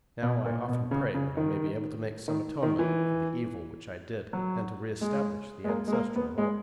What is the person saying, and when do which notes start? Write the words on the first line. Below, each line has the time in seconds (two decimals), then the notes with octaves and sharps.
Now I often pray that I may be able to make some atonement for the evil which I did, and to reestablish the ancestral home.
0.22 B2
0.45 A#2
0.68 B2
0.91 C#3
1.14 C#3
1.37 D#3
2.28 D#3
2.62 D#3
2.79 E3
4.33 F#3
5.01 G#3
5.64 G#3
5.69 A#3
5.87 G#3
5.92 A#3
6.16 B3
6.38 G#3